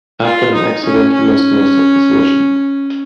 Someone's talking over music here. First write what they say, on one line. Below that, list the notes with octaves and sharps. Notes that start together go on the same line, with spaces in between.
After an accident he lost most of his vision.
F4
D#4
C#4
C#4